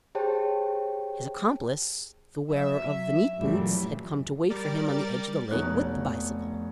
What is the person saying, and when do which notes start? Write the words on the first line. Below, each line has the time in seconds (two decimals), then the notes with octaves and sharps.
His accomplice, the wearer of the neat boots, had come to wait for him on the edge of the lake with the bicycle.
0.15 G4 G#4 C5 C#5 G5 A5
2.49 F#3 E5
3.39 F#2 A#2 E3 F#3 G3 A3
4.50 G3 A#4 D5 A6
5.51 F1 B2 D#4 C#5 F#6